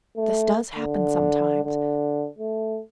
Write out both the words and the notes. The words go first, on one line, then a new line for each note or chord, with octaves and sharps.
This does happen sometimes.
A3
D3
D3
A3